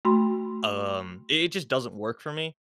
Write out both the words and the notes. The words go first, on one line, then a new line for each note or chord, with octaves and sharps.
um i it just doesn't work for me.
A3 F#4 B5 C6